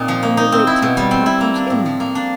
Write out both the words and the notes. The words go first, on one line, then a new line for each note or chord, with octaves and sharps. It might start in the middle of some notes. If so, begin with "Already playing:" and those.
'Only wait till papa comes in.
Already playing: A#2 C4 D#4
F3
A#3
D#4
C4
E4
B2
G3
C4
E4
A#3
D4
A2
F3
A#3
D4